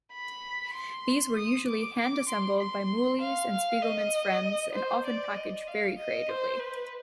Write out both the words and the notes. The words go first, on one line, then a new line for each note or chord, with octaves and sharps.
These were usually hand-assembled by Mouly's and Spiegelman's friends, and often packaged very creatively.
B5
C6
D#6
D6
D6
C6
C6
F5
F5
D#5
C5
D5
D#5
F5
D#5
C5
B4